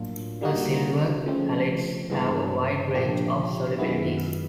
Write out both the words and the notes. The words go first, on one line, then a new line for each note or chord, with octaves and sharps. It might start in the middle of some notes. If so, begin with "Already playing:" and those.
The silver halides have a wide range of solubilities.
Already playing: A2 F#3 A#3 D4 F4
D3 G3 A#3 D#4 F#4
C#3 F3 A3 C4
G2 E3 G#3 B3 D4
A#2 F3 A#3 D4 G4
F#2 D#3 G#3 B3 E4